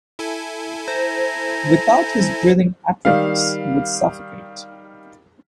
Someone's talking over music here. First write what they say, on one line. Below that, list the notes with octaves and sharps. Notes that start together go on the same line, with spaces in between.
Without his breathing apparatus he would suffocate.
E4 A4 G#5
C5 A#5
D#3 G3 F5